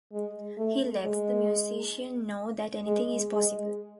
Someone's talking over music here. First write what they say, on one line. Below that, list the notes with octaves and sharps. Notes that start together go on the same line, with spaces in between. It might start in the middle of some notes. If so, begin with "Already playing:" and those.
He lets the musician know that anything is possible...
G#3
A3
G#3
G#3
G#3